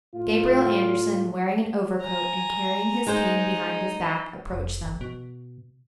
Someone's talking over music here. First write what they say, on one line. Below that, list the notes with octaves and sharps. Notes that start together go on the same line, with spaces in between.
Gabriel Andersen, wearing an overcoat and carrying his cane behind his back, approached them.
A2 F4
G#5 A#5
G#3 D#4 C5
F1
G1
B2